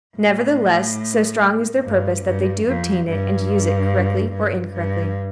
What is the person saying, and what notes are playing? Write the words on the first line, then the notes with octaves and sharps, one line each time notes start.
Nevertheless, so strong is their purpose that they do obtain it and use it, correctly or incorrectly.
A2
G2
G2
F2
G2
G2
G2